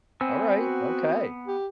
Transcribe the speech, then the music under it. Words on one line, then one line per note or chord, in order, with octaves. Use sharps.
Alright, okay.
B3 C4 G#5 E6
F#4
G4